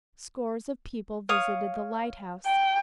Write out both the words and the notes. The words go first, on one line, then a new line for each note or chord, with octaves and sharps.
Scores of people visited the lighthouse.
C#5 F5 D#6
G5